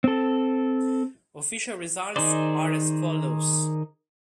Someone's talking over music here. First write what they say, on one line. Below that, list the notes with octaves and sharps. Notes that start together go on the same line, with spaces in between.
Official results are as follows.
C4 A4
D#3 D#4 G#4 C5 D5